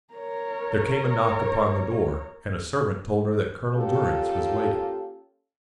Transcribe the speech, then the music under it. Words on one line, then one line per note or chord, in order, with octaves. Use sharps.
There came a knock upon the door, and a servant told her that Colonel Durrance was waiting.
A#4 C#5
A#3 C#4 F4 G4 A4